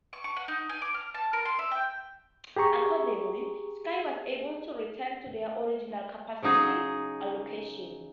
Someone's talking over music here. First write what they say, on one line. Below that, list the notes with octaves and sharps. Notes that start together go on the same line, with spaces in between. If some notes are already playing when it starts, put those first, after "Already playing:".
Accordingly, Sky was able to return to their original capacity allocation.
C#6
C#6
F#5
D#4
G#5
D6
F6
A5
A#4
C6
E5
G5
G4 G#4 A#5 C#6
C#3 F#3 D#4 G#4